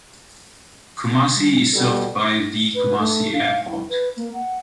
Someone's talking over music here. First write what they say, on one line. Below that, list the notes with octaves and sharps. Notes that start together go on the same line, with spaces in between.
Kumasi is served by the Kumasi Airport.
G3
B2 G3 A4
B4
A3
F5
E4
B4
A#3
F#5